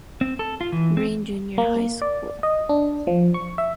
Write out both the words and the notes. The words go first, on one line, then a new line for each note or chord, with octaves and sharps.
Green Junior High School.
C4
A4
F4
E3
C4
A#3
D5
D#5
D4
F3
C#6
E5